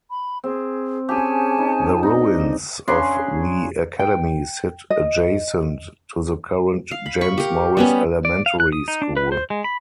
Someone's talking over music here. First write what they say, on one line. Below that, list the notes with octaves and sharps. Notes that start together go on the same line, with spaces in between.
The ruins of the academy sit adjacent to the current James Morris Elementary school.
B5
C4 G#4
C#4 G4 G#4 G#5 A5
D#4
D4 D#4 D#5
C#3 D4 G#4 C6
G5
D#5
F5
B5
B5 C#6
G4 A#4
G3 B3 C#4
D5
F5
F#6
D#6
D#4
D4
B4
C5
G#3
B5